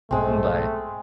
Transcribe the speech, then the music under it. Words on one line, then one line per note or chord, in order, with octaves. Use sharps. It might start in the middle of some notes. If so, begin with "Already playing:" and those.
Mm bye.
B1 G#2 G#3 A3 B3 C4